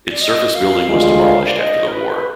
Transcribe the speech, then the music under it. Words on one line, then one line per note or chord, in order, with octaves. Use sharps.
Its surface building was demolished after the war.
D5
D#5
F5
D2 D3 G#3 D4 F4 F5
F5
D5
D#5
A#4
B4
B4